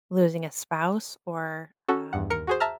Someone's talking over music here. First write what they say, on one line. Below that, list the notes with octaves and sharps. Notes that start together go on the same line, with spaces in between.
losing a spouse or, um,
C#4 F#4 A4
E2 G2 F#5
D#2 A#4 C#7
F#4 G#4 C5
E5 A5 A#5 F6